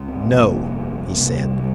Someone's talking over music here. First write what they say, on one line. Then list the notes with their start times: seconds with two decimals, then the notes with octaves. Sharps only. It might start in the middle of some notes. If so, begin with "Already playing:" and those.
"No!" he said.
Already playing: C#2 C#3
0.08 C4
0.30 G1 F2 C3 A#3
1.16 C2 C3 A#3
1.37 G3
1.59 G3